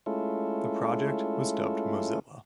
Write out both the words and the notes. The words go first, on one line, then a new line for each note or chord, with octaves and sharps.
The project was dubbed Mozilla.
G#3 A3 C#4 E4 F4 A4